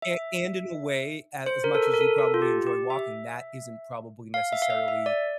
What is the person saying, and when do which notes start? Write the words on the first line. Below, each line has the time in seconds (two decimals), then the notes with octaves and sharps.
And and in a way, as as much as you probably enjoy walking, that isn't probably necessarily
0.02 E5
1.46 C5
1.64 A#4
1.75 A4
1.83 A#4
1.94 A#4
2.01 A4
2.18 A4
2.34 F4
2.42 G4
2.67 G4
2.90 E5
4.34 F5
4.52 E5
4.62 F5
4.70 E5
4.88 E5
5.06 D5